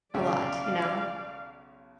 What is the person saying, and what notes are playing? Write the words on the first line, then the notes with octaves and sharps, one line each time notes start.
a lot, you know?
B1 C#3 D5 E5 F5